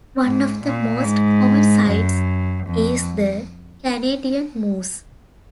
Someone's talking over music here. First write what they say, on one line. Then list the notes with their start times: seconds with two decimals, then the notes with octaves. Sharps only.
One of the most common sights is the Canadian Moose.
0.24 G#2
0.64 A#2
1.04 G#2
1.86 F#2
2.67 F2